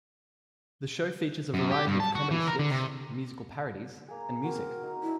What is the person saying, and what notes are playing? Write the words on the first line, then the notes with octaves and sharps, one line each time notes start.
The show features a variety of comedy skits, musical parodies, and music.
F#2
G4
G2
A5
F#4
E3
A#4
D3
C3
A#3 G#4
C4 F#4 A#4
D#4
D4 E4 D#5